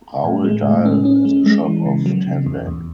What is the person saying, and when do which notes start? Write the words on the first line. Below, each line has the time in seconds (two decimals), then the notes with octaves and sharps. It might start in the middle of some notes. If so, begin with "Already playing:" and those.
Raul Dael as Bishop of Tandag.
0.24 A2
0.44 G#3
0.65 A2
0.85 C#4
1.05 C#4
1.25 G#3
1.46 G#3
1.66 E3
1.86 C#3
2.06 F#3
2.27 C#3
2.46 E2
2.67 E2